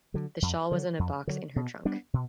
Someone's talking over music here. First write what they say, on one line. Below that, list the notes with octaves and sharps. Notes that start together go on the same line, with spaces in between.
The shawl was in a box in her trunk.
D3 F#3
F2
D3 F#3
F2
D3 F#3
B2
G3 B3 D4
B2